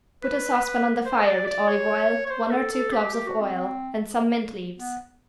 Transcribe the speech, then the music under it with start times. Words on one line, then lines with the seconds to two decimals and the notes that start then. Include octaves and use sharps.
Put a saucepan on the fire with olive oil, one or two cloves of oil and some mint leaves.
0.23 B4
1.06 C5
1.19 D#5
1.27 D5
1.47 D5
1.68 C#5
2.26 C#5
2.30 C5
2.51 A4
2.72 A4
2.92 G4
3.13 G4
3.27 F#4
3.41 C4
3.54 C4
4.78 B3